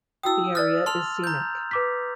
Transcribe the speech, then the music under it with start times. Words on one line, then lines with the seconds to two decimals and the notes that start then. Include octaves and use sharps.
The area is scenic.
0.23 E4 F#4 G5 D#6 E6
0.55 D5 D#6 F6 A6
0.86 A5 C6 F6 F7
1.24 A#5 G6
1.71 B4 D6 B6